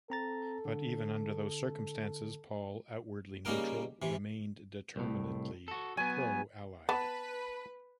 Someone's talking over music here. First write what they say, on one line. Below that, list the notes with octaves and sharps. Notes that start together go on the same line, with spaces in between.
But even under those circumstances Paul, outwardly neutral, remained determinedly pro-Allied.
C4 A4 A#5 A6
D3
C#3 G3 A#3 D#4 A#4 G5
C3 E3
C2 A2
F#4 A4
F#3 B3 G#5
B3 B4 A5